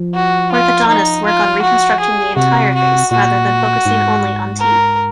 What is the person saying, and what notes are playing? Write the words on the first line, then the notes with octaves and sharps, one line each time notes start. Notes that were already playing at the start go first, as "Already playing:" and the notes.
Orthodontists work on reconstructing the entire face rather than focusing only on teeth.
Already playing: F3
F#4
F4
D#4
F4
F#4
G#4
C3 F#4
F#4
A#2 F#4
G#2
A#4